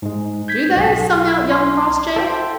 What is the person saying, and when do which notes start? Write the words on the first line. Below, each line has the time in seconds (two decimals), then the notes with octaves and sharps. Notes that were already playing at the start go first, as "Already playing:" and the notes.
"Do they?" sung out young Crossjay.
0.02 G#2 G#3
0.48 G6 G#6 B6
0.75 B1 D#5
1.52 C6
2.16 A4 C5 G5